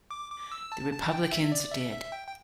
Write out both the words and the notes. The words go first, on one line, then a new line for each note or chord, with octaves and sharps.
The Republicans did.
D6
D6
E6
A5
A5
G5
G5
E5
E5
D5
E5
E5
G5
G5